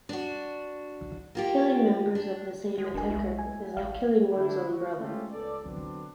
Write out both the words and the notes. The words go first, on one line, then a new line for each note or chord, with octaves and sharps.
Killing members of the same Ateker is like killing one's own brother.
D4 F#4
A#3 F4 G4
D4
G#3
F1 D4 A#4 G#5
B1 G#3 E4
G#5
A1 F5
D3 F3 G3 D4 E4
F#4
G#3 A3 C#4 F4 G4 A4
C#2 B3 A4 D5
D3 F#3 B3 C4 D4